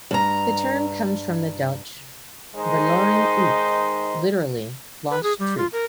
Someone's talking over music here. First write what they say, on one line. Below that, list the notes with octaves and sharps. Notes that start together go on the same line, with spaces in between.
The term comes from the Dutch "verloren hoop", literally "lost troop".
G2 A#5
D#3 G#3 D#4 C5
B4
G#4
G3
F4
A#4